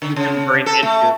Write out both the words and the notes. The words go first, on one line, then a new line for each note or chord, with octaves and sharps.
you can bring into
D3
C#3
A4
A3